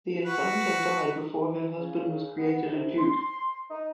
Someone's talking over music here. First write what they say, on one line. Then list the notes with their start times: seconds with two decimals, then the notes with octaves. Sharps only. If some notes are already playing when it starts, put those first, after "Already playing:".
The infanta died before her husband was created a duke.
0.25 F#4 B4
1.78 C#3
2.38 B3
2.67 C2
2.98 C6
3.70 D#4